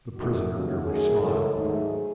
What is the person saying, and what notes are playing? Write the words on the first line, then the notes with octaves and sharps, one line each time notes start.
The prisoner merely smiled.
E2 D#3 A3 F#4
D#2 C#3 E3
F#2 D#3 A3 G#4
F#2 C#3 E3 G#3 A4
G#2 D#3 F#3 A3 G#4